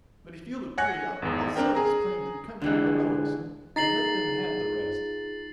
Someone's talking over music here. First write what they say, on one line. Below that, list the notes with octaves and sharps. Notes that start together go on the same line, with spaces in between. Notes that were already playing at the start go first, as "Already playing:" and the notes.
But if you'll agree, I'll sell this claim to the company below us and let them have the rest.
C#5 F#5 G#5 F#6 A#6 C#7
G#1 E2
C4 D4 A#4 G5
G#4 A#5
D3 E3 G#3
D#4 F4 G#4 A#5 A6 C7 F#7